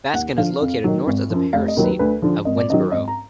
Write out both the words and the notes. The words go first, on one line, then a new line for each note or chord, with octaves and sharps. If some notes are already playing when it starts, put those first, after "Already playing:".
Baskin is located north of the parish seat of Winnsboro.
D#2 F#5
D3 F3 F5
F2
D#3 F#3
G#1
F#2 F3
F1 F5
D#5
D#2 D#3 F#3
B4
D2 B4
D3 F3
G#1 D#5
D5
F#2 D#3 F#3 D#5
G#1 D#5
A#5